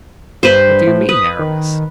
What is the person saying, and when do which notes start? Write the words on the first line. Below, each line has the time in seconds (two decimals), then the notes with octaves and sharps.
"What do you mean, Aramis?"
0.43 G2 B4 C5
0.87 A2
1.09 B4 D#6
1.39 D#3